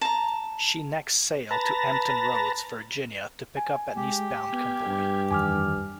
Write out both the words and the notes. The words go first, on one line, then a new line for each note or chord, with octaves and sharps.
She next sailed to Hampton Roads, Virginia, to pick up an east bound convoy.
A5 A#5
B4 A5 A#5
G#5
G#3 G4
B3 F6 G6 G#6
G2
F2 D#3 E3 G#5 D6 F6